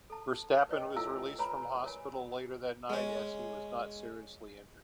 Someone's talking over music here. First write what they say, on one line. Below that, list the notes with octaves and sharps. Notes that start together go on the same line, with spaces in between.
Verstappen was released from hospital later that night as he was not seriously injured.
A4 A5
B4 C#5 D#5 G5
E4 F4 A4 F5 G#5 E6
B4 C#5 G#5 A#5 B5
A#4 C#5 G#5
G#3 C#4